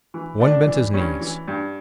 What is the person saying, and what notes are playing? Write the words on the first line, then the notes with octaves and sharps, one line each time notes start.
One bent his knees.
E3
A2 D4
E3
G2 C#4
E3
G2